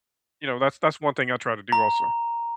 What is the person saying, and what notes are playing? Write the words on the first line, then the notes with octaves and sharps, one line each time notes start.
you know, that's that's one thing I try to do also.
A#5